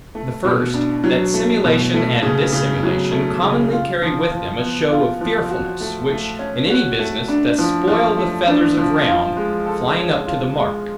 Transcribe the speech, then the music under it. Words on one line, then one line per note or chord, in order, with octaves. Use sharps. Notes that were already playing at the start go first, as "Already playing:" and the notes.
The first, that simulation and dissimulation commonly carry with them a show of fearfulness, which in any business, doth spoil the feathers, of round flying up to the mark.
A3
B2
D4
F#3
A3
B2
A3
C#3
C#3
F#3
A3
C#3
F4
F3
F3
B3
F4
F3
F#4
A3
A3
C#4
F#4
A3
D4
F3
F3
A3
D4
F3
F4
G#3
A4
C#4
F4
G#3